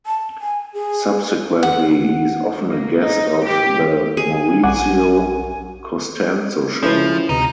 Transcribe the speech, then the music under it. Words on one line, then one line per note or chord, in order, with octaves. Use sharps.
Subsequently he’s often a guest of the “Maurizio Costanzo Show”.
A5
G#5
G#4
F#5
A#3
D#4
G4
G#4 G#5
A#1 F#5 D6
F3 C#4 E4 B4
D2 C3 D#4